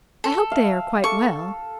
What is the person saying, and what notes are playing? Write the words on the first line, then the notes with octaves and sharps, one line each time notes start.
I hope they are quite well.
A4
F5
A4 C#6